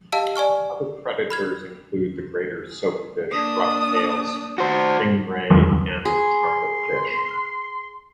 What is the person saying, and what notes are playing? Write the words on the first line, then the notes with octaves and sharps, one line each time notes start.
Other predators include the greater soapfish, roughtail stingray, and the trumpetfish.
G4 D#5 F5 A5 E6 D7
D5 G#5 C#6 F6
B5 F6 G#6
A#3 D4 D#6
F#4 C5
G#4 C6